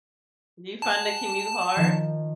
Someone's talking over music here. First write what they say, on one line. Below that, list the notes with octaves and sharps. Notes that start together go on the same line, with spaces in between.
Do you find the commute hard?
F#5 G#5 A5
D#3 F3